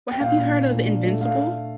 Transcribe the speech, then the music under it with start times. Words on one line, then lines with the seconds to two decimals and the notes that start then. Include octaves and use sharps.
Well, have you heard of Invincible?
0.11 G5
0.20 A#2 F5
0.38 A#2
0.54 D4
0.71 A#2
0.88 D4
1.05 A3
1.21 A3 F5